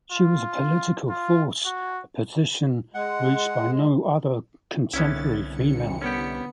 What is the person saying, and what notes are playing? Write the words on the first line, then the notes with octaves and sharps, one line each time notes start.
She was a political force, a position reached by no other contemporary female.
F4
F4
F#4
G#3 F#5
C2 D3 B3 C#4 E4 A6
D3 C#7
B3 C#4 G4